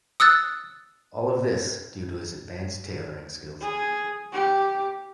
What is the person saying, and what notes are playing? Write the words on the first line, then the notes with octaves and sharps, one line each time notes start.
All of this, due to his advanced tailoring skills.
D#6 E6 F#6 A6
G#4
G4